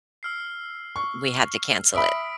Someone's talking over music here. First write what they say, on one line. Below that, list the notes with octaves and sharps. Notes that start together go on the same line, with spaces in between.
We had to cancel it.
E6 F6 C7
C#6
E5 B5 D#6 B6 D7